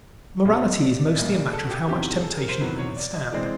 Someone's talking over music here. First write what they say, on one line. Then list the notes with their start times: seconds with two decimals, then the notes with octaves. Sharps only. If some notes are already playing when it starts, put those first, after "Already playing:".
Morality is mostly a matter of how much temptation you can withstand.
0.45 B1 A#2 G3 A#3 C#4 E5
0.63 D#5
0.81 D5
0.99 D5
1.08 E5
1.16 B1 A#2 G3 A#3 C#4 D#5
1.35 D5
1.47 G#4
1.52 A4
1.64 F#4
1.71 G4
1.88 E2 C3 D#3 F#3 G4
2.12 G#4
2.20 A4
2.28 G#4
2.36 A#4
2.48 C5
2.60 E2 C3 D#3 F#3 B4
2.78 C#5
2.96 D5
3.14 D#5
3.32 E3 G#3 C4 D5